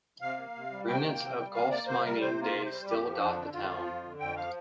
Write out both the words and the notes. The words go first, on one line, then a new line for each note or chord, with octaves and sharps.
Remnants of Goffs's mining days still dot the town.
C3 F5
A#3
C3
G3
C3 G5
A#3
C3
G3
C3 F5
A#3 D5
C3 C5
G3 A#4
C3 C5
A#3
F4
C3
G3 C5
F2 G4
F3
F2 D4
D3
F2 F4
F3
F2
D3
F2 G5
F3 F5